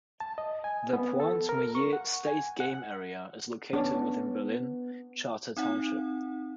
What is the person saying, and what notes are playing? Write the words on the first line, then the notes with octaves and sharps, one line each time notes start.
The Pointe Mouillee State Game Area is located within Berlin Charter Township.
A5
D#5
G#5
B3
A4
A#4
C#6
F#5
G#5
F#5
B3 C#4 D4
C4 D#4 F#5